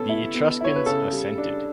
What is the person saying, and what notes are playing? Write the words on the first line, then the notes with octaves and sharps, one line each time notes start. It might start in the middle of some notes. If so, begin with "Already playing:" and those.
The Etruscans assented.
Already playing: B3 C#4 A4
E4
B3
E4 C#5
B4
C#3 A4
G3
D4